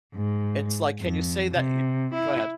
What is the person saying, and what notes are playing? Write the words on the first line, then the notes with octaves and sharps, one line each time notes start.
It's, like, "Can you say that y" go ahead.
G#2
F2
C3
E4